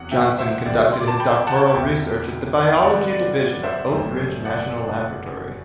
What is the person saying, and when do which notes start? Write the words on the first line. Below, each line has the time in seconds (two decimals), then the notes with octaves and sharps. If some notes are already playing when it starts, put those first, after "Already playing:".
Johnson conducted his doctoral research at the biology division of Oak Ridge National Laboratory.
Already playing: E2 C3 F#3 F#5
0.11 E5 G5
0.38 C5 E5
0.65 D2 C3 F#3 C4 D5
0.93 C6
1.00 D6
1.07 A5 C6
1.20 G5 B5
1.47 F#5 A5
1.74 E1 D2 C3 E5 G5
2.74 G5
2.83 G2 D3 G3 C4 D5 F#5
3.10 D5
3.64 C5 E5
3.91 F#1 F#2 F#3 A3 C4
4.45 D5 F#5